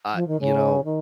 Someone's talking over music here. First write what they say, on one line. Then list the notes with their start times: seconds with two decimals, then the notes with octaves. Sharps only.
Ah, you know,
0.14 F3
0.27 D#3
0.40 C#3
0.84 D#3